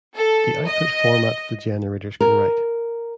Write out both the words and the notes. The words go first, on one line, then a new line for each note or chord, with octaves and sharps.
The output formats the generators can write.
A4
D#5
A#4